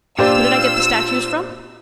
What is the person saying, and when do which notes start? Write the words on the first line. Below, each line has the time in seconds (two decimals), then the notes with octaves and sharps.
Who did I get the statues from?
0.19 A#2 D4 F4 G4 C5 E6